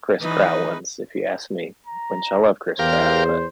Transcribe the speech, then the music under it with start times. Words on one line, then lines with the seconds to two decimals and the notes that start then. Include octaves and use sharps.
Chris Pratt ones, if you ask me, which I love Chris Pratt, but
0.21 E3 D#4 B4
1.86 A#5
2.79 E2 G4 A#4 C5 F5